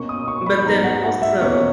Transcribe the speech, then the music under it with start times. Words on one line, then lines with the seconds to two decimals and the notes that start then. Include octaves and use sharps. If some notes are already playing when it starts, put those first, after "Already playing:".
But then also
Already playing: B2 A#3 C#4 C#6
0.09 D#6
0.28 C#6
0.46 B5
0.65 G#2 F#3 B3 A#5
0.83 F#5
1.03 F#5
1.22 E5
1.41 E2 B2 A#3 C#4 C#5